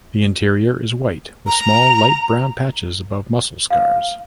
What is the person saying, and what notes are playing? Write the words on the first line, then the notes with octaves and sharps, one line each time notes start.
The interior is white with small light brown patches above muscle scars.
A#5
F5